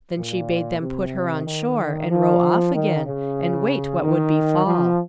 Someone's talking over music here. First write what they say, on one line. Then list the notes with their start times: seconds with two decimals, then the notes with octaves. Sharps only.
Then she bade them put her on shore, and row off again, and wait what would befall.
0.18 A#2
0.82 C3
1.46 D#3
2.10 F3
2.74 D#3
3.06 C#3
4.03 D#3
4.66 F3